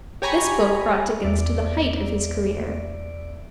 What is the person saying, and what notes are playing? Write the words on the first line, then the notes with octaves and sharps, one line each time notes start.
This book brought Dickens to the height of his career.
G4 C#5 G#5 A#5 B5 C#6
E2 D5 E5 D7